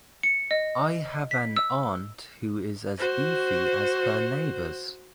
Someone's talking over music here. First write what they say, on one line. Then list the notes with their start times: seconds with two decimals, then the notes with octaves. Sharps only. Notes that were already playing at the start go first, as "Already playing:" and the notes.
I have an aunt who is as beefy as her neighbors.
0.23 C#7
0.51 D#5
1.31 B6
1.57 E6
2.97 F#4 C5